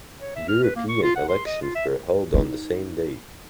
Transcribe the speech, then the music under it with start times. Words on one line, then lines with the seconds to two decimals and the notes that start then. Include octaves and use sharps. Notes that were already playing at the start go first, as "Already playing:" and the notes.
European elections were held on the same day.
0.21 C#5
0.36 E5
0.49 F6
0.63 B4
0.76 A#3
0.89 C#6
1.03 F4
1.16 F#5
1.29 C6
1.46 D#5
1.62 F4
1.76 E5
2.34 D#4 E4